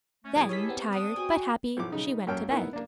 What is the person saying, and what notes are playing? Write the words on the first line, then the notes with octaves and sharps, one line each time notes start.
Then, tired, but happy, she went to bed.
A3 C#4
A2 F3 B3 E4 G4 G#4
D#3 C#4 A4 C#5 D#6 B6
B3 C4
D4 D#6
F#4 G#4 G5 G#5
B1 F3 E4 D6
C#3 D#4
F#2 A#3 C#4 G5 A5 F6
B3 D#4 E4 A#4
A#3 D4